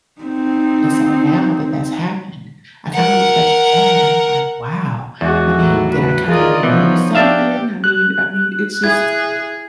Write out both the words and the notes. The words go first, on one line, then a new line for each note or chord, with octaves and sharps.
and so now that that's happened, I kinda look back on that, and I'm like, "Wow." I mean, did I kinda know something? I mean I mean, it's just
C4 D#4
A#4 F#5
E2 G#3 F#4
A2 F#3 A4
F#4 B4
F4 G#4 A#4 D5 D#5
E3 F3 B3 D#4 C#5
D4 G4 E5 F5
F#6
E4 G#4 G#6